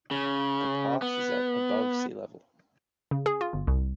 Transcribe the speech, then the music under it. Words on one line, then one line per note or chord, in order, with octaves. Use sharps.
The pass is at above sea level.
C#3
B3
C#3
G#4
F4
G1
C2